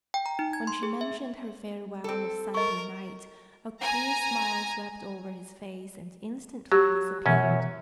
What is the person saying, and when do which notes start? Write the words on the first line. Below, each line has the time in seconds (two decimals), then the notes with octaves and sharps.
When she mentioned her farewell of Sunday night, a queer smile swept over his face and instantly disappeared.
0.14 G5
0.26 A#5
0.39 D#4
0.53 G#6
0.67 C6
0.83 G#4
1.01 E5
2.04 C4 A4
2.54 A#4 D#5 C#6
3.82 G#5 A#5
6.72 F#3 G4
7.26 F#2 B2 E3 C#4 E5